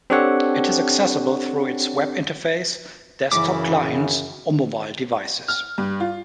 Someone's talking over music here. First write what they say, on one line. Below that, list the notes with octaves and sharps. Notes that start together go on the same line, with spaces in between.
It is accessible through its web interface, desktop clients or mobile devices.
C4 D4 G4 A4 C#5 F#5
F#2 C#3 E3 D6
F6
G2
F4